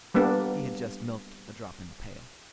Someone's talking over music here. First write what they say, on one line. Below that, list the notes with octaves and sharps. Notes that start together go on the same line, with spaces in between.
He had just milked a drop in the pail.
G3 A#3 B3 D4